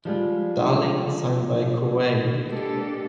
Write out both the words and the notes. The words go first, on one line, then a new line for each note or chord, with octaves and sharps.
Darling sung by Corabi.
F3 G3 G#3
G#3 A#3 D4 G4 A4